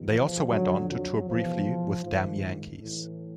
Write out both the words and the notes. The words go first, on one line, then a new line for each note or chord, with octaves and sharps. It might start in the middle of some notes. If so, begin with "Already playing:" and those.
They also went on to tour briefly with Damn Yankees.
Already playing: E2 B2
F3
F2 D3 F3 F#3
F#3
E2 B2 F3
G#2 D#3 F3
A2 E3